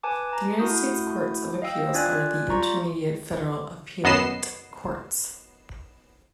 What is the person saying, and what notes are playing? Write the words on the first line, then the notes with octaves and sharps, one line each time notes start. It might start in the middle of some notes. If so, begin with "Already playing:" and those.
The United States courts of appeals are the intermediate federal appellate courts.
B4 G#5 A5 D6
A5 A#5
A3 E4 F#4 D#6 G6
D#5 F5 G5 E6
D4 F4 D5 G#5 F#6 G#6
F4 D5 A#5 C#6
F#2 B3 D#5 C7 E7